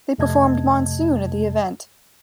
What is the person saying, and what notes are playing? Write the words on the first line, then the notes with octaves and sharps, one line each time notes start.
They performed "Monsoon" at the event.
F2 C3 A3 D#5 A5 G#6